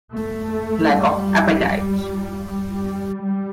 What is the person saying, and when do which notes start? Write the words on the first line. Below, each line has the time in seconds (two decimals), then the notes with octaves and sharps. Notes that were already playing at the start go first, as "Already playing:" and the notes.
Lack of appetite!
0.13 A3
0.91 G3
1.68 G3
2.45 G3
3.22 G3